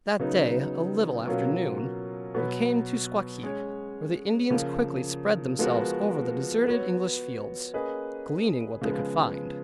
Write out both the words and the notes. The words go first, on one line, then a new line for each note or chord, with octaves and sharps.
That day, a little after noon, we came to Squakeag, where the Indians quickly spread themselves over the deserted English fields, gleaning what they could find.
C#3 F#3 B3 D#4
B2 F#3 A#3 C#4 F4
B2 F#3 B3 F#4 B4
G#3 C#4 G#4 C#5
C#3 F3 A#3
F3 G#3 B3 F#4 A#4
B3 F#4 C#5
A#3 C#4 G#4 B4 D#5
C#3 F3 G#3 B3